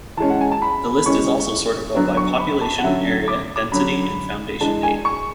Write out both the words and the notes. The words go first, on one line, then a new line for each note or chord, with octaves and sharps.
The list is also sortable by population, area, density and foundation date.
E3 G#3 C#4 A5
F#5
G#5
A5
B5
E3 G#3 C#4 C#6
D3 F#3 B3 D4
C#6
B5
A5
F#5
D3 F#3 C#4 E5
D6
D6
D3 F#3 C#4 B5
E3 G#3 D4 A5
G#5
C#6